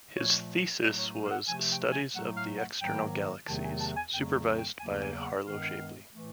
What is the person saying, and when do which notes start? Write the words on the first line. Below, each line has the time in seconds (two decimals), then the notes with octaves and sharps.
His thesis was "Studies of the External Galaxies", supervised by Harlow Shapley.
0.16 A#2 F3 A3 C#5
0.81 A2 F#3 A3 D5
0.98 C#5
1.24 F5
1.31 F#5
1.48 C3 F3 A3 G#5
1.70 G5
1.92 G#5
2.14 A2 F#3 A3 F#5
2.36 F5
2.59 F#5
2.81 G#2 D#3 F#3 A#3 G5
3.47 E2 C3 D#3 F#3 A3 A5
3.63 G#5
3.80 A5
3.97 G#5
4.13 F2 C#3 F#3 A3 G5
4.57 G5
4.79 E2 C#3 F#3 A#3 G#5
5.01 G#5
5.24 F#5
5.46 G2 D#3 G#3 B3 F5
6.12 A2 E3 A3